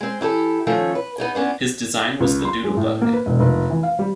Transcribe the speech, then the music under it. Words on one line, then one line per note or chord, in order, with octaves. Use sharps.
His design was the Doodle Bug.
G#3 C4
E3 E4 G4 A4
D#3 F3 A3 C#4 C#5
B4
B3 D#4 G#4
B3 C#4 D4 C5
C#2
C6
G#3
A2
A#3
B4
E1
F1
E3
F5
G3